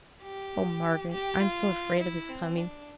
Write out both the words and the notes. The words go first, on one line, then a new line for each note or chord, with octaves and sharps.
'Oh, Margaret, I'm so afraid of his coming!
G4
G4
F4
E4
C4
D4